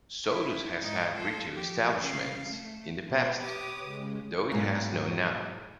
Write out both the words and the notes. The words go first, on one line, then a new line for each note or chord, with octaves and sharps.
Sodus has had retail establishments in the past, though it has none now.
E4
G#2 D#4
F4 A4
F3 G4
C#3 F5
A3
B2 B3
G4 B4 C#5 D6 D#6
C#3 G#3
G#2 B2 F#3 G#3 A#3